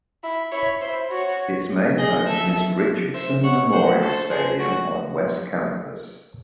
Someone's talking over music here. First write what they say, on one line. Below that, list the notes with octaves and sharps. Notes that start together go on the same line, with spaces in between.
Its main home is Richardson Memorial Stadium on West Campus.
E4
E4 C#5
E4 C5
F#4 C#5
G#4 D#5
A4 E5
C5 E5
C#5 F#5
C5 F#5
A4 C5
G#4 C5
F#4 C#5